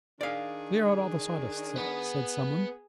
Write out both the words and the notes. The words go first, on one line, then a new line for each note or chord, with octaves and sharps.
"Clear out all the sawdust," said some one.
D#3 D4 G#4 D5 F5
B3